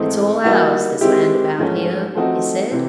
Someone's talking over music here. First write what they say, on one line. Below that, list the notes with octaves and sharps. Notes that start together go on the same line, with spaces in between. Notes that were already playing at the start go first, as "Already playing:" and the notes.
"It's all ours, this land about here," he said.
Already playing: G#2 E3 A3 C4 D#4
E3 G3 A#3 D#4 F#4
D#3 G#3 C4 E4 G4
G#2 F3 A3 C#4
F3 A3 C4 D#4 F#4
C3 E3